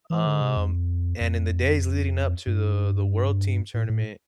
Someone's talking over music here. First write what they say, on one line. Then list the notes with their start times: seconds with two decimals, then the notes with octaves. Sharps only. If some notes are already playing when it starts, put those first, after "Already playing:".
Um, and in the days leading up to the the world team tournament,
0.10 E3
0.26 D3
0.41 C3
0.57 F2
1.21 F2
2.47 G2
3.74 A2
3.89 A2